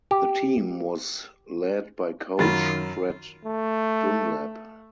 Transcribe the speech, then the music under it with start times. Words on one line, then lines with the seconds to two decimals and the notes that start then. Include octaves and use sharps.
The team was led by coach Fred Dunlap.
0.11 G4
2.39 F#2 D#3 F4 A#4 B5 C6 A6
3.45 A3